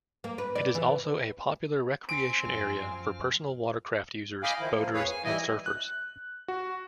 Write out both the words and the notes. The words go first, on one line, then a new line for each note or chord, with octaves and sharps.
It is also a popular recreation area for personal watercraft user, boaters, and surfers.
A#3
B4
D5
E3
C4 G#5 D7
F#2 F3 F6
D#5 F5 G5 G#5 B5 D6
D#3 F3 E4
F3 A#3
F2 G#4 B4 C#5 F5
G#5
E3 G3 E4 D#5 G#5
F#6
F#4